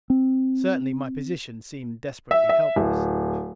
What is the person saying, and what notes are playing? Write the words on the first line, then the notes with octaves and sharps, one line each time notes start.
Certainly my position seemed desperately helpless.
C4
E5
E5
D1